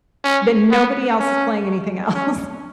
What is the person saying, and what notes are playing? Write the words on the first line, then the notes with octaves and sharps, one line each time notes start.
then nobody else is playing anything else.
C#4
B3
C#4
C#4